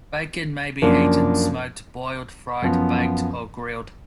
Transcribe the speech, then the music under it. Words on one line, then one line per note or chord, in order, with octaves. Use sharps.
Bacon may be eaten smoked, boiled, fried, baked, or grilled.
F#2 F3 A#3 D4
F#2 F3 B3